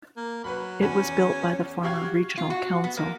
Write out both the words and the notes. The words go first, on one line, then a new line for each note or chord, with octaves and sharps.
It was built by the former Regional Council.
A#3
F#3 B4 B5
E2 C#4 F#4 B5
F#4 G4 F5 G#6
F4
F#4
B3
A#3